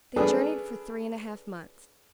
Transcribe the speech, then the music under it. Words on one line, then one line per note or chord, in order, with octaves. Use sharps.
THEY journeyed for three and a half months.
B3 C#4 D4 G#4 A4 B4